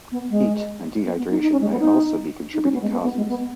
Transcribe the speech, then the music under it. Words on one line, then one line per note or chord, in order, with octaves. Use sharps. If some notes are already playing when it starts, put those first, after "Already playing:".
Heat and dehydration may also be contributing causes.
B3
G#3
B3
B3
D#4
D#4
C#4
G#3
B3
D#4
D#4
C#4
B3
G#3
B3
B3
G#3
B3